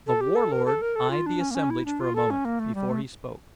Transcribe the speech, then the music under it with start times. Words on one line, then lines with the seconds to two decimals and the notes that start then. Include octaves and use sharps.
The Warlord eyed the assemblage for a moment before he spoke.
0.07 A4
0.21 G4
0.36 A4
0.52 A#4
0.66 A4
0.82 A#4
0.96 A4
1.11 F4
1.26 D4
1.40 C#4
1.51 A#3
1.55 C#4
1.70 E4
1.86 D4
2.00 F4
2.16 A4
2.30 C#4
2.45 A#3
2.59 A3
2.75 G3
2.89 A3